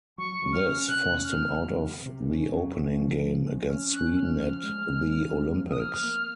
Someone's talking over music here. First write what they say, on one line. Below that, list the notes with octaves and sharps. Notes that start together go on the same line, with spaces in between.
This forced him out of the opening game against Sweden at the Olympics.
F#3 C#6
F#3
F6
C#4
C3 F#6
C#4
F6
C3
F#3
C3
C3
C#4
F#3
C#4
F3
F3
C#4
C#4 F6
C#4 F#6
C#4 F6
F3 F6
G#3
G#3
C#4
G#3
F3
D#6
A#3 F6
A#3